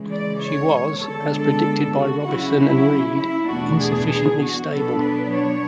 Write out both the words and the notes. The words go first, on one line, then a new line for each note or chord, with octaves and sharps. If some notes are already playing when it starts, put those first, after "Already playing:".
She was, as predicted by Robison and Reed, insufficiently stable.
Already playing: C#3 E3 G#3
D5
C#5
D3 G#3 B3 D4 A4
A4
F#4
C#3 F#3 C#4 E4 F#4
E4
E4
E2 B2 A3 D4 F#4
G#4
G#4
F#4
B2 F#3 B3 D4 A4
B4
C#5